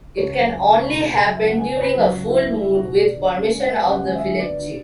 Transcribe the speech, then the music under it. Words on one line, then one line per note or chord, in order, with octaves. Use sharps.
It can only happen during a full moon with permission of the village chief.
C#2 C#5
F#3
C#2
C#2
C#6
B2 B5
C#2
F#3
E5
C#2 F#5
B3 G#5
C#2 C#5
B4
F#3
F#4
C#2
F#3 E4
B3
E4
C#2
F#4
B2
B3 D5
D2
C#3
G#3
F#5
B3 E5
C#3
F#5
G#3
E5
D2
B3 D5
D2